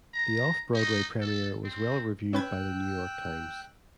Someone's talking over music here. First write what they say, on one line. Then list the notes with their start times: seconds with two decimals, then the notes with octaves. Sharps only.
The Off-Broadway premiere was well reviewed by the "New York Times".
0.13 A#5
0.73 D#4
1.21 A4
1.64 C4
2.33 C#4 B4 G5 E6 F#6 G#6